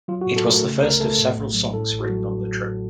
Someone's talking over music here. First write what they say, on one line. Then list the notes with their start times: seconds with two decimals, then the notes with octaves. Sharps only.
It was the first of several songs written on the trip.
0.08 F#3 F4
0.21 F#4
0.26 A2
0.36 A4
0.45 A3
0.50 A#4
0.64 C#3
0.81 C#2 A#4
1.00 A3 A4
1.18 A2
1.37 A#1
1.55 F#3
1.74 A2 A4
1.92 A1
2.00 F#4
2.10 F#3